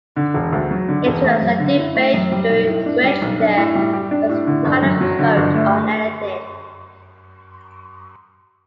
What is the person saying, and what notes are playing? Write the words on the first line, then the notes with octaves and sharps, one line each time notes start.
It was a debate during which there was not a vote on anything.
D3
E1
D2
F#3
D3
E1
A3
F#2
D3
E4
A3
F#2
G3
B1
A2
D4
G3
B1
D4
A2
G3
G4
D4
A2
D3
G1
F#2
F#3
D3
G1
A3